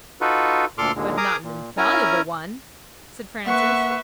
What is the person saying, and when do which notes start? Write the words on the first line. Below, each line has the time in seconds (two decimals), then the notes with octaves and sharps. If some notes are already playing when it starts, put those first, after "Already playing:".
"But not an infallible one?" said Francis.
0.21 D#4 F4 F#4 A4 B4
0.78 D2 A#2 A4 C6 D6 F6
0.96 D#2 A#2 D3 G#3
1.17 G#4 A#4 A#5 D6 D#6
1.43 A#2
1.77 C#4 E4 A#4 G#5 A#5
3.46 A#3 B4 E5 F#5 C#6 F#6